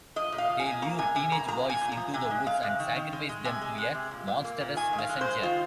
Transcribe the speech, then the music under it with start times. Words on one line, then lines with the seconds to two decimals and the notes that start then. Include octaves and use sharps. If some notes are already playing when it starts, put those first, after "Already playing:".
They lure teenage boys into the woods and sacrifice them to a monstrous messenger.
0.16 F3 D#5
0.32 A#2
0.38 F5
0.49 F3
0.60 G#5
0.66 A#2
0.82 A#3 A#5
0.98 C3 G#5
1.15 C3 G#5
1.31 A#3 A#5
1.48 F3 A#5
1.65 A#2 G#5
1.81 A#2
1.92 A#5
1.97 F3
2.14 C3 G#5
2.31 G#3
2.46 G#3 F5
2.63 C3
2.80 D#3
2.96 D#3
3.13 G#3
3.29 G#3
3.45 C3 G#5
3.61 G#3
3.78 G#3
3.95 C3
4.11 A#2
4.28 A#2
4.44 A#3
4.60 A#2
4.77 D#3 G#5
4.93 G#3
4.98 F5
5.09 G#3
5.21 C5
5.26 G#3
5.43 D#3 F4